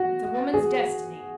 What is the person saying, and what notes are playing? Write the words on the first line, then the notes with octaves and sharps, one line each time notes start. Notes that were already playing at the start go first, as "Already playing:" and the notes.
It's a woman's destiny.
Already playing: F#4
G#4